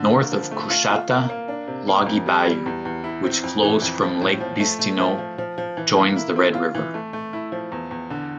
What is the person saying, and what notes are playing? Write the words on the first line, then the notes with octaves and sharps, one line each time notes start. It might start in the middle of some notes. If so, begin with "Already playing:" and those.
North of Coushatta, Loggy Bayou, which flows from Lake Bistineau, joins the Red River.
Already playing: D3
A#3
F3
A3
F4
F4
A#3
A#3
D4
C3
A#3
F2
G3
G3
E2
E2
E4
C4
F2
E3
F2
F3
A2
F3
A3
A3
F3
F3
F3
F3
E3
A#3
E4
C4
F4
E3
A3
A3
E4
F3
E2
E2
D3